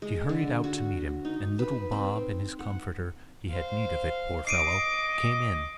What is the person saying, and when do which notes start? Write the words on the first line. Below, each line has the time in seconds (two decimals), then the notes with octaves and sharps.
She hurried out to meet him; and little Bob in his comforter --he had need of it, poor fellow--came in.
0.02 G#3
0.29 D3
0.64 F#4
1.25 D#4
1.59 B4
1.92 C4
2.59 F#5
3.51 C5 F5
4.47 D#5 D6 C7 D7 D#7